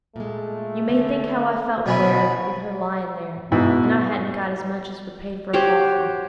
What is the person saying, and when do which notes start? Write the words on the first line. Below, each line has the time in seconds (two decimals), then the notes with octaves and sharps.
You may think how I felt, Clara, with her lyin' there, and I hadn't got as much as would pay for a coffin.
0.16 A#2 G#3 A3
0.89 D3 C#4
1.86 B2 D3 F#3 C#4 E4 C5
3.52 G#2 B2 E4
5.53 F#4 G4 C5 C#5